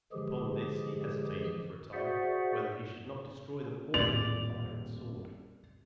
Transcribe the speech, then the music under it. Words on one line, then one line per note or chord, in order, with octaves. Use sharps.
Upon this, he hesitated for a time, whether he should not destroy them all with fire and sword.
D3 E3 F3 G#3 G4 G#4
F#4 G#4 C5 D5 E5 F#5
D#1 A1 F2 D5 F7